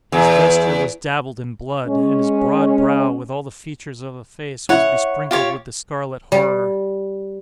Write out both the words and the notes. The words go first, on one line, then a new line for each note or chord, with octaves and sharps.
His vesture was dabbled in blood--and his broad brow, with all the features of the face, was besprinkled with the scarlet horror.
E2
G#3 C#4
E4 C#5 F#5
F4 G4 C#5
G3